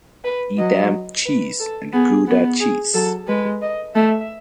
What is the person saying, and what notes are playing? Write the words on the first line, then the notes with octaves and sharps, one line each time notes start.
Edam cheese and Gouda cheese.
B4
F#3 D#5
B4
A4
B3 G#4
B3
G#4
F#3 A4
G#3 B4
D#5
A3 E5